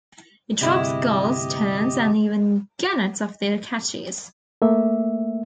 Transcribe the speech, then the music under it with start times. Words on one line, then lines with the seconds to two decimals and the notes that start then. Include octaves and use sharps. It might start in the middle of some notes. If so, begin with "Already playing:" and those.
It robs gulls, terns and even gannets of their catches.
0.61 D2 G2 C3 G#3 E4 G4 D#5
4.62 A3 A#3 E5